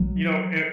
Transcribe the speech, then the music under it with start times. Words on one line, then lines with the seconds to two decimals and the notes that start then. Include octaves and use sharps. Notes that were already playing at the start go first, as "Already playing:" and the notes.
you know, and
Already playing: F#3